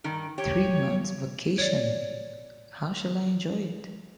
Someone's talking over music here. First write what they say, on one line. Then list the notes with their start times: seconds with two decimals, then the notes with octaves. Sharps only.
Three months' vacation, — how I shall enjoy it!
0.04 G2 D#3
0.38 G4 C#5
1.58 C#5 D5